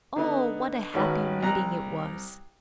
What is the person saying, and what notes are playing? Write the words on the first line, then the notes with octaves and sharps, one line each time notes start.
Oh, what a happy meeting it was!
D3 B3 D#4
G#1 D#3 C#4 F#4 B4
C2 A#5 F#6